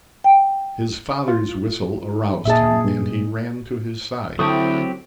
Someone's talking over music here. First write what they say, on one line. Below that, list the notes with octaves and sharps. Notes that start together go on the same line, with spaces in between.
His father's whistle aroused him, and he ran to his side.
G5
F4
A#2 G#4 D#5 E5 A5
G2
D2 F#3 C4 E4 G4 A4 C#6 D#6